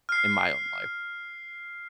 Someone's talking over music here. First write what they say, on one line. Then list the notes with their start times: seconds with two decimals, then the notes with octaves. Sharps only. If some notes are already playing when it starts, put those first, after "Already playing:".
in my own life.
0.09 F6 C7